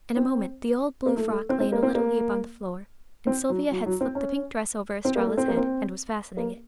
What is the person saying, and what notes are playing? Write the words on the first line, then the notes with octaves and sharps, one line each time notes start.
In a moment the old blue frock lay in a little heap on the floor, and Sylvia had slipped the pink dress over Estralla's head, and was fastening it.
C4
A#3
A3
A3
C4
C4
A#3
C4
A#3
C4
F#3
F#3
F#3
C4
C#4
C4
A#3
A3
C4
A#3
C4
A#3